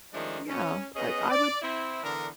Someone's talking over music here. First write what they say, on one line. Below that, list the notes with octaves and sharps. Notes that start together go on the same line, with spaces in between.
Yeah, I I would
D#3 F3 G#3 A3 C#4 D4
C#4
B3 C#4 G#4 D#5
D5
C4 E4
D3 E3 B3 D4 A#4